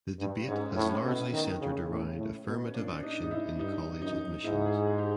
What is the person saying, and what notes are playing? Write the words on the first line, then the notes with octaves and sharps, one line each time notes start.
The debate has largely centered around affirmative action in college admissions.
G2
G#2 C#4
A2 C#4
B2
D#3
C#3
A2
A2
B2
C#4
A#2 D4
D4
D#4
G#2
D#4
E4
G2 D#4
F#2 D#4
G#2 E4
G#4
G#4
G4